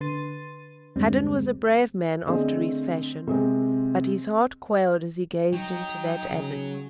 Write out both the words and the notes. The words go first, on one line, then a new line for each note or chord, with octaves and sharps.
Hadden was a brave man after his fashion, but his heart quailed as he gazed into that abyss.
D3 B4 C6 A6 D#7
E2 G2 D3 G3 G#3 C4
D3 A3 C4 G#4 D#5
C3 G#3 C4
F#3 D#4 G5
C#3